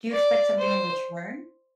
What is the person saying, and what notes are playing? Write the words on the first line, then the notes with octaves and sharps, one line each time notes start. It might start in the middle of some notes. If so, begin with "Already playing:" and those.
Do you expect something in return?
D5
C5